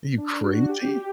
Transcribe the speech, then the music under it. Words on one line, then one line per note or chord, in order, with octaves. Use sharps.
Are you crazy?"
D4
F#4
G4